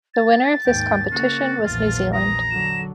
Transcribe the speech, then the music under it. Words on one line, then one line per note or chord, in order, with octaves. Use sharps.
The winner of this competition was New Zealand.
A6
D#2 G#2 G5
C#3 A#3 F#4
A#1 E2 F4
A#5 D#6
D3 F#3 E7